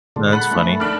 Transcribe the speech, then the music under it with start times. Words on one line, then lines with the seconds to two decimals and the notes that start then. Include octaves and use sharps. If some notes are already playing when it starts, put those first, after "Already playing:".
That's funny.
0.16 A#2 D3 G#3 A5 C6
0.33 F#5 B5 F#6 A6
0.51 A3 A#3 C#4 D#4
0.80 D#2 D4 B5 F6